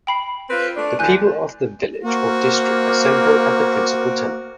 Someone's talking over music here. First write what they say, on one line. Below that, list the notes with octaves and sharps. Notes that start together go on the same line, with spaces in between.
The people of the village or district assemble at the principal temple.
G5 B5 C7
C4 F4 B4
A3 D4
D2 D3 E3 G#5 F#6 G6
A#3 C4 F#4